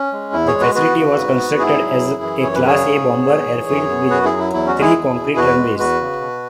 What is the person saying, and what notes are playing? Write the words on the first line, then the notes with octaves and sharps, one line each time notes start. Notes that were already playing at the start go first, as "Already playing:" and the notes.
The facility was constructed as a "Class A" bomber airfield with three concrete runways.
Already playing: C#4
G#3
E2 E4
G#4 C#5
G#3
F#4 B4
B3 F#4 B4
C#3
G#2
B3
G#2 E4 G#4
F#3
F#2
E3
F#2 C#5
B4
C#3 G#4 C#5
G#2
B3
G#2
E3
F#2
B3
F#2 F#4 B4
E4 G#4
F#3
E4
E2 E4
C#4 F#4
G#3
E4 G#4
E2
B2
E2 F#4 B4
G#3
E2 F#4 B4
C#3
B2